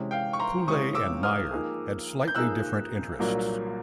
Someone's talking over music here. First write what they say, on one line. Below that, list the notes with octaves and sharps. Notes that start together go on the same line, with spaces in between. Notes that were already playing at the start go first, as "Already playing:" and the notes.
Pulay and Meyer had slightly different interests.
Already playing: C3 E3 G#3 C#4
F5 G5
C#6
A#5 C6
C3 E3 G#3 C#4 C#6 D#6
D6 E6
D#6 F6
F3 A#3 D#4 G#4
G6
F3 A#3 D#4 G#4 E6 F#6
C2 A#2 F#3 A#3 D4